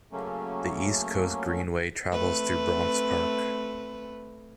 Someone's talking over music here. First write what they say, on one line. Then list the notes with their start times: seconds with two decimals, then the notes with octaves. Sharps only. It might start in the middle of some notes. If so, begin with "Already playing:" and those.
The East Coast Greenway travels through Bronx Park.
0.12 C#3 F#3 A3 A#3 C#4
2.12 A3 C4 B4